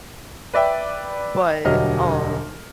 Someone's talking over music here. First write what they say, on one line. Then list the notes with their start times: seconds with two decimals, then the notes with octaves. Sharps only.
but, um,
0.53 B4 D5 E5 G5
1.65 E1 D2 F#3 G3 D#5 F6